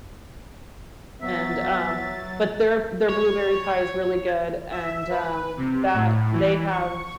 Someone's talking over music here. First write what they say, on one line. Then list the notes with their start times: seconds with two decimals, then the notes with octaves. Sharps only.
and, um but their their blueberry pie is really good and, um, that they have
1.22 F#3 B3 E5 A6
3.09 C#5
4.70 E5
5.10 B4
5.57 C3
5.94 A2
6.32 E3
6.70 C#6